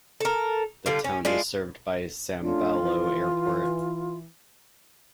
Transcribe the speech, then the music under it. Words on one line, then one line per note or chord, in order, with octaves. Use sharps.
The town is served by Sambailo Airport.
A4 A#4
D3 G3 F4
C#4
G#3 D4 E4 F4
A3 C#4 D4 F4
E3